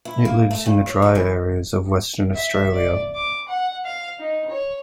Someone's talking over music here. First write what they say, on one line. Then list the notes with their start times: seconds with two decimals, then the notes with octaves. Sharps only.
It lives in the dry areas of Western Australia.
0.05 E4
0.25 A#3
0.51 A3
0.66 G2
0.86 C#5
1.02 A4
1.15 E3
2.34 E5
2.74 D5
3.15 D6
3.48 F#5
3.85 F5
4.19 D#4
4.50 C#5